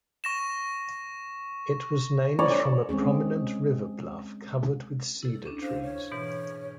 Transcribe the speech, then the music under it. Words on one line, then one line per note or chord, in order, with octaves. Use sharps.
It was named from a prominent river bluff covered with cedar trees.
C#6 A#6 E7
C#5 D5
G#3 C4 C#4 G#4
E4 A4
C#4 D4
C5 F5
C#5
G#2 B2 E3